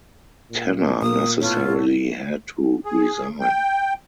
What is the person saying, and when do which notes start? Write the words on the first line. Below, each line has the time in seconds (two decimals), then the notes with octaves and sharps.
Tanner necessarily had to resign.
0.51 A#2
1.02 A#2 A#3 D#6
1.41 A2 B3 F4 A4 C#5
2.85 G#4
3.41 G5